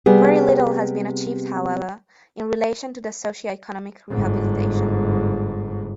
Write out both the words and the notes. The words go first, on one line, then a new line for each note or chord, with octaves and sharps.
Very little has been achieved however, in relation to the socio-economic rehabilitation.
C3 G3 B3 G#4
G1 G#2